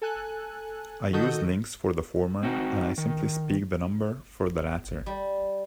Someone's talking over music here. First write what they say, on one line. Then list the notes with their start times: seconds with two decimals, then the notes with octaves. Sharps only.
I use "links" for the former and I simply speak the number for the latter.
0.02 A4 G#5 F#6
1.13 D#3 F#4 A4 D#5 D#6 G6
2.43 C4 D#4 F#4
2.98 D#3
5.06 G3